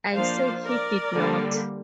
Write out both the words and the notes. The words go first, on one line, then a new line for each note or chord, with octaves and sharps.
I said he did not.
F3 A#3 D4 C5 F5
A#4 D5
D3 G3 A#3